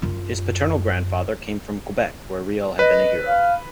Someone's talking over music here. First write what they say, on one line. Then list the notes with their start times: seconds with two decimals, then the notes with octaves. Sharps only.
His paternal grandfather came from Quebec, where Riel had been a hero.
0.02 F#2 F4
2.79 B4 D#5
3.26 F5